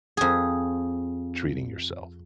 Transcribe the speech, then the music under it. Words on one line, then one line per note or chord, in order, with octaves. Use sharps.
Treating yourself?
F2 G#4